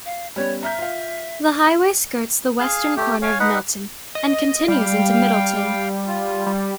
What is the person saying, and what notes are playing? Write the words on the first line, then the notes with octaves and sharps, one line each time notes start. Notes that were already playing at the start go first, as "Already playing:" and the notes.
The highway skirts the western corner of Milton and continues into Middleton.
F5
G3 B3 C#4 C#5
E5 A#5 F6 G6
F4 F5
G#4 F5
A3 G4
C#5 F5 G#5
D#4 B4 F#5
D#5
G3 F5 G5
F4
G3